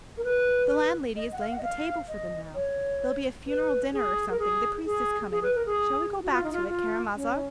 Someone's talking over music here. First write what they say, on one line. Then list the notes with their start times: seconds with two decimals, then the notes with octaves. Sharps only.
"The landlady is laying the table for them now--there'll be a funeral dinner or something, the priest is coming; shall we go back to it, Karamazov?"
0.17 A#4
0.24 B4
1.16 D#5
1.32 F#5
1.39 F5
1.51 F#5
1.58 D#5
1.63 F5
2.08 D#5
2.55 C#5
3.47 B4
3.93 G#4
4.30 A#4
4.39 G#4
4.85 G#4
5.31 G#4
5.43 B4
5.55 A#4
5.66 G#4
6.23 F#4
6.33 F4
6.44 D#4
6.53 F4
6.69 F4
7.16 C#4